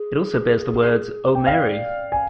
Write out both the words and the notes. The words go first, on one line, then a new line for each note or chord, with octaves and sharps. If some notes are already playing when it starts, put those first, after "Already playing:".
It also bears the words, O Mary!
Already playing: G#4
G5
D5 F5
G#5